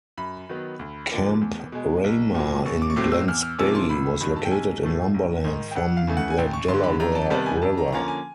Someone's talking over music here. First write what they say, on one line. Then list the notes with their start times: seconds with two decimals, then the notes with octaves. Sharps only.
Camp Ramah in Glen Spey was located in Lumberland, from the Delaware River.
0.17 F#2 B5
0.49 D#3 F#3 B3
0.79 D2
1.10 D3 F3 A#3
1.41 E2
1.72 B2 G#3
2.04 B1
2.35 A#2 F#3
2.65 A1 C#6
2.82 D6
2.90 C#6
2.96 A2 F#3 A3 C4 D6
3.12 E6
3.28 E2 F6
3.43 F6
3.58 C3 F3 A#3 C#4 E6
3.75 C6
3.89 G#1 B5
4.06 B5
4.20 G2 D#3 F#3 B5
4.36 A5
4.45 G5
4.51 B1 G#5
4.83 A2 F3 A3
5.14 A#1
5.44 G#2 D#3
5.71 G5
5.75 F2 F#5
5.97 F5
6.07 C#3 E3 A3
6.17 F#5
6.30 G#5
6.38 A1 G5
6.53 C#6
6.68 G2 C6
6.74 D3
6.84 B5
7.00 F2 A#5
7.15 A5
7.30 C3 D#3 G3 B3 A5
7.46 G#5
7.62 F2 A5
7.78 A#5
7.92 D3 F3 A#3 C#4 A#5
8.08 G#5